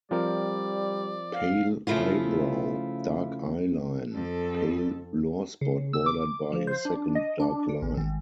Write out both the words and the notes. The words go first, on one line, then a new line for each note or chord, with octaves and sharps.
Pale eyebrow, dark eye line, pale lore spot bordered by a second dark line.
F3 G3 C4 A#4 D5
F5
C#3 F3 A3 E4 F4
F2 A4
C#3
E6
D6
F3
C5
D4
D#5
D4
D3
A1
G#1